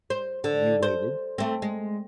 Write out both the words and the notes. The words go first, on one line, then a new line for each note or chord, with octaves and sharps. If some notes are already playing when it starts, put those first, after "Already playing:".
You waited.
C5
D3
C5
A3 C4
G#3